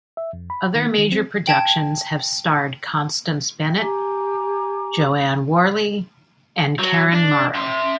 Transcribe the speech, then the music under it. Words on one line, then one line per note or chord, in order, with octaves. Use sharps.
Other major productions have starred Constance Bennett, Joanne Worley and Karen Morrow.
E5
F2
B5
D#3
A#3
D#3
C4
G5 A5 G#6
G4 G#5 A#5 D6
F#3
D4
E5 C6